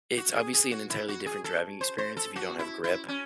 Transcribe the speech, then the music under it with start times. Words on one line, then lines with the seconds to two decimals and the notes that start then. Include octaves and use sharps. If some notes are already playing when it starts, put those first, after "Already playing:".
it's obviously an entirely different driving experience if you don't have grip,
0.17 F#4
0.35 G#4
0.53 G#4
0.71 F#4
0.90 E4
1.08 F#4
1.26 G#4
1.44 A4
1.81 C5
1.98 C5
2.17 A4
2.36 F#4
2.59 E4
2.84 E4
3.08 C#4